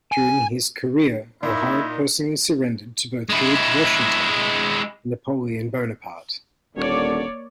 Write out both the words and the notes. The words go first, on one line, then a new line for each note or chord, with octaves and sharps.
During his career O'Hara personally surrendered to both George Washington and Napoleon Bonaparte.
G#5
A#2 D#4 E4
G#3 E4
D#1 D3 A#3 C#5 D5